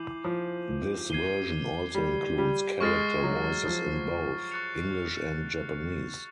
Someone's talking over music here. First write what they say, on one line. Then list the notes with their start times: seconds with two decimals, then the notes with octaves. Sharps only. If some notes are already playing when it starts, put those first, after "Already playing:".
This version also includes Character voices in both English and Japanese.
Already playing: E3 D6 G6 C7 D#7 F#7
0.24 F3
1.10 G#6 C7 D#7 G7
1.95 G3
2.38 G3
2.81 G#3 C#6 F6 A6 C7
3.24 F#3
3.65 F3
4.51 C#6 F#6 A6 C#7 F7